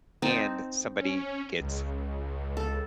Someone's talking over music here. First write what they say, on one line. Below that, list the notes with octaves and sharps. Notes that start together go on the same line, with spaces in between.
and somebody gets
C4 D#4 A5
C#4
C#2
A4